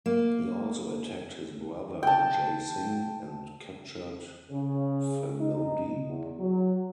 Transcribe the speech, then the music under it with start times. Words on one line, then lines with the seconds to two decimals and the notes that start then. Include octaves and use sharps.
He also attacked his brother Jai Singh and captured Phalodi.
0.06 A#3
2.03 G5 A5
4.50 C#3
5.40 D#4
6.06 E2
6.38 F#3